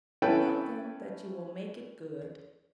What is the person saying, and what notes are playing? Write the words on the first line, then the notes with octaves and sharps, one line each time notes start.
Tell them that you will make it good.
C#4 E4 A4 B4 G5 A5